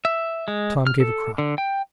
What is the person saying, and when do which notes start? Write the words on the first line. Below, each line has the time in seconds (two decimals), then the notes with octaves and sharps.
Tom gave a cry.
0.05 E5
0.48 G#3
0.87 F6
1.00 A4
1.38 D3
1.58 G5